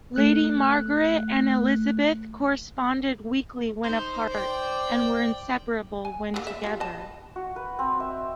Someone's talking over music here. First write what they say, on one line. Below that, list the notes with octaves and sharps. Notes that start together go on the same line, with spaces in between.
Lady Margaret and Elizabeth corresponded weekly when apart and were inseparable when together.
A3 F#6
D#4 C5
D5 G5
G#5
A#3 E4 G#4
E5
F4 G4
D#5 A5
F#4
B4
C4
E5